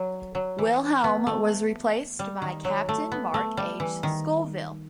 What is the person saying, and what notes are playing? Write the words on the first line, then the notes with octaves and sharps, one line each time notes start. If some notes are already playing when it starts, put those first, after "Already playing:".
Wilhelm was replaced by Captain Mark H. Scovill.
Already playing: F#3
F#3
E3
B3
A3
G3
D#3
F#3
A3
B3
A3
G3
E3
D#3